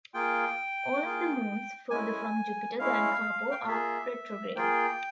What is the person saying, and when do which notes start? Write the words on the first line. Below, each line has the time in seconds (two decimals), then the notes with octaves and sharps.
All of the moons further from Jupiter than Carpo are retrograde.
0.14 A#3 F4 G#4 G5
1.03 A#3 F4 G#4
1.91 G#3 C#4 E4 G#5
2.79 G#3 C#4 E4 F5
3.51 G5
3.59 F5
3.67 A#3 F4 G#4 E5
4.56 A#3 F4 G#4 G5